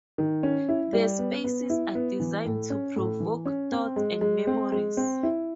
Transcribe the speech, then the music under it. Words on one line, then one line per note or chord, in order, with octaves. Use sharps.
The spaces are designed to provoke thoughts and memories.
D#3
C#4
E4
G3
B3
B3
E4
B3
E3
A2
C#4
A2
E3
C#4
C4
G#3
G#3
C4
G#3
C4
E4